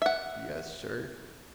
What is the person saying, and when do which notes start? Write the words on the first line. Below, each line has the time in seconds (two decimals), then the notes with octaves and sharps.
"Yes, sir."
0.02 E5 F#5